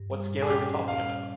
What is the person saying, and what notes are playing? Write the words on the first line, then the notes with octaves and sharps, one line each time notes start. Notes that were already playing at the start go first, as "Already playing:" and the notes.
What scale are we talking about?
Already playing: G2
G3
A#2
G#4
C#4 G4
A#2
G3 F5
C#4